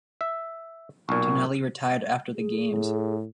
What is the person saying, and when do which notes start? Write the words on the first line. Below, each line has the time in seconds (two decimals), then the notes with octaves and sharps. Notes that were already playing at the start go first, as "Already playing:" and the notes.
Tonelli retired after the Games.
0.21 E5
1.09 B1 A#2 C#6
2.34 G#4
2.71 A2